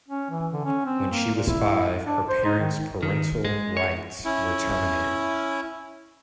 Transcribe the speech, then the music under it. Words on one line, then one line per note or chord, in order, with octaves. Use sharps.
When she was five, her parents' parental rights were terminated.
C#4
E3
D3
C#4
C4
A#3
A#2
E4
D4
C5
D#4
D#3
D#3
G#3
C#5
C#4 E4